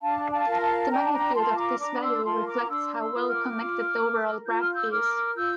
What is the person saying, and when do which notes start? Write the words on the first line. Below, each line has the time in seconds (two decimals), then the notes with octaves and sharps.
The magnitude of this value reflects how well connected the overall graph is.
0.02 D4 F5 A5
0.32 F5 A5
0.46 F4 A#4
0.61 F5 A5
0.91 D4 G5 A#5
1.03 A5
1.13 G5 A#5
1.35 F4 A#4 A5 C6
1.58 A#5 D6
1.80 D4 A#5 D6
2.02 C6 E6
2.24 F4 A5 C6
2.30 A#4
2.47 A#5 D6
2.68 D4 C6 E6
2.93 D6
2.98 C6 E6
3.14 F4 A#4
3.28 D6 F6
3.58 F4
4.02 A#4
4.47 F4 G6
4.60 F6
4.73 E6 G6
4.91 A#4 D6 F6
5.35 F4 E6 G6